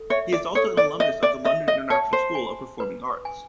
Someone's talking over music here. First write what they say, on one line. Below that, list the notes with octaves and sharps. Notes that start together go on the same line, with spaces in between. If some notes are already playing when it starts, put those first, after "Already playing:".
He also is an alumnus of the London International School of Performing Arts.
Already playing: A4
C#5 E5
D5
A4 C#5
D5
D#5 E5
D5
D#5 E5
D#5
C#5 A5
C5
G#5
B4
G#5